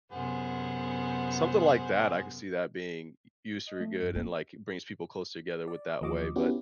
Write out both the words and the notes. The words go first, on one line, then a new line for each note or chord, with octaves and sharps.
Something like that, I could see that being u used for good and, like, brings people closer together with that way, but,
F#2 C3 B3 G#4 C5 F#5
D#5
A3
F#2
A#3 C4
D5
D#2 F3 D#5 C#6 D6
B3 C#4 D4 E4 F#4 G4